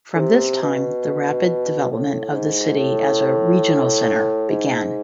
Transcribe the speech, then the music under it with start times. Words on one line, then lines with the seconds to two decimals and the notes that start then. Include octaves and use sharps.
From this time the rapid development of the city as a regional center began.
0.15 D3
0.19 C3
0.62 B2
1.92 A2
2.31 A2
2.35 G#2
2.77 A2
4.49 G#2